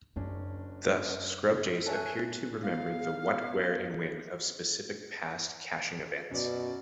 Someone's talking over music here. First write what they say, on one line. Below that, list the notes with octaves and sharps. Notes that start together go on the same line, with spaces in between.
Thus, scrub-jays appear to remember the "what-where-and-when" of specific past caching events.
F#1 F#2 C#4 D4
A4 C#5 E5 G#5 F#6
B3 F5
F#2 B2 D5